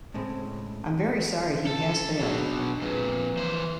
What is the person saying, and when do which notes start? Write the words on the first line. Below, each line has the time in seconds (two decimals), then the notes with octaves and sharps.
I’m very sorry he has failed.
0.14 A2 C#3 G#3 C4 E4
1.67 A4
2.19 B2 F#3 D4 G#4
2.82 F2 A#2 B4
3.37 E3 C5